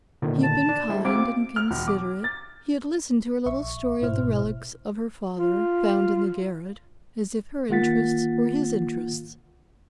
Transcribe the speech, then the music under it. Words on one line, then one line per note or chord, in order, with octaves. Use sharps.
He had been kind and considerate; he had listened to her little story of the relics of her father, found in the garret, as if her interests were his interests.
A#2 D3 D#3
A5
D4
G#3 E4
C4 F#4 F5 D6
F6
E1
D6
A6
A#1 E5 C#6
G1 G#2 B2 E4 C5 F6
F4
D#3 A#3 F4 F#5 A6 B6